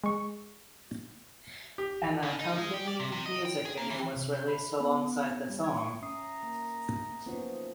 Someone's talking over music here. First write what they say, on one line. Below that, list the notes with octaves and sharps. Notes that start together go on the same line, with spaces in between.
An accompanying music video was released alongside the song.
G#3 C#6
G4
C#3
D#4
G#3
G4
D5
C3
C3
D#5
G5
G#4
A#3
E3
C3
G6
B5
B3
G3
G#6
C#4 E5 A#5 D#6 C7
A#3
F3 F#3 A#3 B3 C#4 D#4